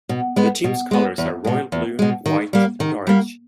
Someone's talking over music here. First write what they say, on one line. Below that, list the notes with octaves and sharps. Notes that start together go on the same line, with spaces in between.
The team's colors are royal blue, white and orange.
B2
G#3 B3
B2
G#3 B3
E2
B2 G#3
E2
B2 G#3
D#3
G3 A#3
D#3
G3 A#3